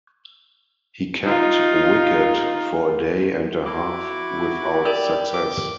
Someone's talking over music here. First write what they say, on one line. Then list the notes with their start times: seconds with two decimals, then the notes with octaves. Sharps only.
He kept wicket for a day and a half without success.
1.24 D#4 F4
3.65 E4 F#4 D6
4.85 G4 A#4 D5 E6
5.34 D6